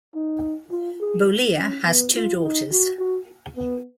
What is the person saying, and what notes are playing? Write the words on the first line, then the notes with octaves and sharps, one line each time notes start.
Bollea has two daughters.
D#4
F4
G#4
C#4
B3
F4
D#4
F#4
F#4
B3